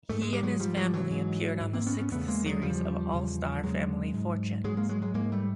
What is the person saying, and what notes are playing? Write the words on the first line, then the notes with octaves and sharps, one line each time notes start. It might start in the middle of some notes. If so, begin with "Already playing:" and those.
He and his family appeared on the sixth series of All Star Family Fortunes.
G#2 A3
G#3
G3
F#3 G#3
G#2 F3 G3
F3 G3
E3 F#3
G#2
G#2
A#3 C4
B3 C#4
B3 C#4
E2 C#3 A3 B3
G#3 A#3
F#3 G#3
E2 C#3 F3 G3
E2 C#3
E2 C#3 F#3 G#3
G#2
G#2 F#3 G#3
G#3 A#3
F#3 G#3
F#3 G#3
G#2 G#3 A#3
G3 A3